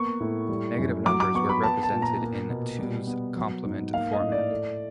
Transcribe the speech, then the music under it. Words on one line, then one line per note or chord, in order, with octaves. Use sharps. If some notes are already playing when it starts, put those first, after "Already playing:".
Negative numbers were represented in "two's complement" format.
Already playing: A#3 B3 C#6
A2
G3
F#2
F#3 D6
D6
B3 C#6
B5
B3 A5
A5
A#2
A#5
A#3
B2
G3
B3
F#3
G#2
A#3 F5
D#5
A2
D5
A3